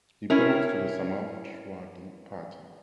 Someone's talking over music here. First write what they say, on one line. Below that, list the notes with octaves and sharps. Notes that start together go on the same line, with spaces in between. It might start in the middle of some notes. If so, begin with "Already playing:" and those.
He belongs to the Samajwadi Party.
C#4 E4 A#4